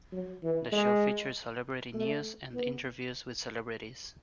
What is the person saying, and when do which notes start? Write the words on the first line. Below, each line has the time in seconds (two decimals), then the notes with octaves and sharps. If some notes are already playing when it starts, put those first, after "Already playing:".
The show featured celebrity news and interviews with celebrities.
0.12 F#3
0.43 E3
0.72 G#3
1.94 A3
2.54 B3